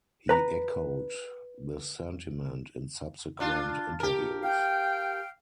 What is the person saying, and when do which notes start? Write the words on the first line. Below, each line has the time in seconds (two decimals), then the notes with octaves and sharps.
He echoed this sentiment in subsequent interviews.
0.29 B4 A#5
3.40 D4 F4
4.00 G4 A#4
4.43 F5 G5